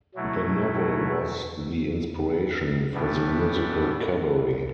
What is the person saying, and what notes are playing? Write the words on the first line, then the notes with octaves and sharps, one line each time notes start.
The novel was the inspiaration for the musical Cabaret.
B2 F#3 A3 E4
A2 E3 G3 B3 D4